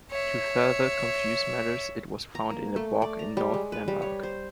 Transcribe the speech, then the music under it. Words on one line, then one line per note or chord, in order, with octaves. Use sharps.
To further confuse matters, it was found in a bog in north Denmark.
C#5 E5
A#5
A#3
A3
D5
A#5
G3
G#3
B4
G3
C#5
C5